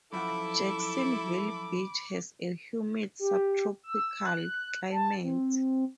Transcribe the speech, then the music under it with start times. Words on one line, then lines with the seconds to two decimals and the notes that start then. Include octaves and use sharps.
Jacksonville Beach has a humid subtropical climate.
0.13 F#2 F3 E4 A4 F#5 B5 D6
3.19 G4
3.83 E6
4.26 F#6
4.91 A5
5.22 C4